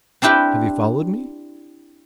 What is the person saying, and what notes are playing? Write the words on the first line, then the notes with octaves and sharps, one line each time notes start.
Have you followed me?
C4 D4 E4 G4 B4